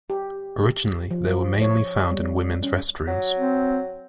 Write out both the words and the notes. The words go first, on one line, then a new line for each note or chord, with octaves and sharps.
Originally they were mainly found in women's restrooms.
G4
F3
C#5
G3
C#4
F#3
C4